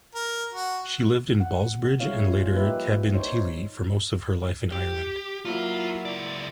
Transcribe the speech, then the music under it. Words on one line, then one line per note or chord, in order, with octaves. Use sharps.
She lived in Ballsbridge and later Cabinteely for most of her life in Ireland.
A#4
F#4
F#5
G3 G#3 C#4 E4 C#5 F5
F4
G3 A#3 D#4 G4 B4 E5
F3
D#4 C5 C#5
G4
F#3 A#3 E4 F4
C#2 D5